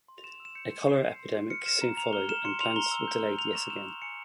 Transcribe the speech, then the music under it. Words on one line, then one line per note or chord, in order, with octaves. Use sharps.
A cholera epidemic soon followed and plans were delayed yet again.
C6
F7
C6 E7
E6
E7
G6 C#7
C6
G6 C7
G6
C6
C6
F6 C#7
F6 E7
A#5 E7
A#5 F7
F6 G7
F6 E7
C6 C#7
C6 F7
A#5 G7
E6
G6
A#5
A#5 F7
C#6 E7
E6 E7
A#5
G#5 C#7